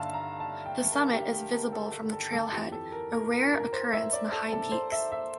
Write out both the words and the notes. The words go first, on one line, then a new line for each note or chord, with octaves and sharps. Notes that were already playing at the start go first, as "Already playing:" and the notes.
The summit is visible from the trailhead, a rare occurrence in the High Peaks.
Already playing: G2 D3 E5 F5 A5
A#5
A5
G5
A#4
G4
G4
A#4
A4
A4
A4
A4
F2 E3 G4
A4
A#4
A#4
A#4
A#4
C5
E5
D5
A4
A4
C5
E5
E5